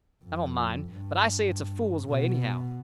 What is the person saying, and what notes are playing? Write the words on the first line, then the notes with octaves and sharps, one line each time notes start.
I don't mind; but I say it's a fool way, anyhow.
F2
G2
B2